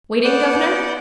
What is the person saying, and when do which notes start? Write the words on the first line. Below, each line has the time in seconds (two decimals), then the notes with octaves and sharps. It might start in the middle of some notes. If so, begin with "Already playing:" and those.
Waiting, guvnor?
0.24 B3 D5 F#5 D6 G6